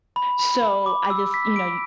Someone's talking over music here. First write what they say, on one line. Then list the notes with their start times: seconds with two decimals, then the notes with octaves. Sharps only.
So I just, you know, y
0.16 B5
0.39 B5
0.63 B5
0.86 D6
1.10 E6
1.34 B6
1.56 D7